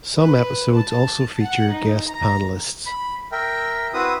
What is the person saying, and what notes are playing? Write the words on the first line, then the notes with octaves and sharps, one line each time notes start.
Some episodes also feature guest panelists.
B4
A5
F#5
D#4
A#5
B5
A#4 E5 G5
C4 E4 F#4 B4 D#6